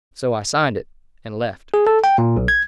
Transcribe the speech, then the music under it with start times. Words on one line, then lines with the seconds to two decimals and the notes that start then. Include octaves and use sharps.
So I signed it, and left.
1.74 G#4
1.87 A4
2.04 G5
2.18 A#2
2.37 B1
2.48 G#6